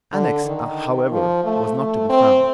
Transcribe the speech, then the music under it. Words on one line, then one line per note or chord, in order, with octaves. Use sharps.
Alex, however, was not to be found.
D3
D#3
F3
A3
A3
C4